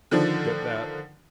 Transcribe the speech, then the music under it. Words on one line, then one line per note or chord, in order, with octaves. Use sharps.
Get that?
D3 D#3 F3 D4